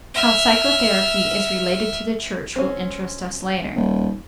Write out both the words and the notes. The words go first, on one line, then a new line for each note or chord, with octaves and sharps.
How psychotherapy is related to the church will interest us later.
E5 F6
C4 C#4
D#1